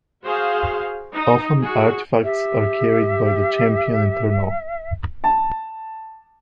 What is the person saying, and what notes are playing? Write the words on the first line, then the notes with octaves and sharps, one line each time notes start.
Often artifacts are carried by the Champion Eternal.
F#4 G#4 C5 F5
D#4
F#4 G#4
G4 E5
A5